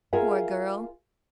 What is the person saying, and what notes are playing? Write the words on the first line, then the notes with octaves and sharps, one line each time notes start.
Poor girl!
F4 G#4 A#4 E5 F#5